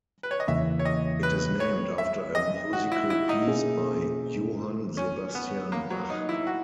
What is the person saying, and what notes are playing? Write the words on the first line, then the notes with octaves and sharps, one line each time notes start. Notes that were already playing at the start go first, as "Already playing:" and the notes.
It is named after a musical piece by Johann Sebastian Bach.
B4
C#5
D#5
E2 C#3 E3 A#3 E5
C#5
D#5
B4
C#5
E5
D#5
F#4
E4
E4
D#4
B2 A#3 C#4 G#4
C#4
B3
A#3
F#3
D#4
E4
F#4